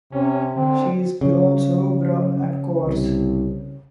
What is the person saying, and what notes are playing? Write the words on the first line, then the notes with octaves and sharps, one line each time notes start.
She is grown so brown and coarse!
C3 C#4
D3 C4
C#3
C2